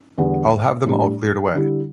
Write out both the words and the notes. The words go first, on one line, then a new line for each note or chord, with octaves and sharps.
I'll have them all cleared away.
E2 D3 G3 B3
A2 G3 D4
D3 G3 E4